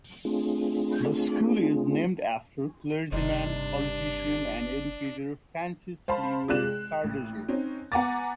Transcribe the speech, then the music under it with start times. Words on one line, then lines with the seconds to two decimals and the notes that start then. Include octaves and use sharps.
The school is named after clergyman, politician and educator Francis Lewis Cardozo.
0.25 A3 C4 D4 F4 G#4
3.12 F#1 G2 C3 D4 D#4
6.08 C5 F5 A5 B5
6.48 C3 G#3 F4 D5 F#6 E7
6.63 G#3
7.04 A1
7.49 C4 C#4 D#4
7.92 B3 F#5 G#5 A#5 D6 A6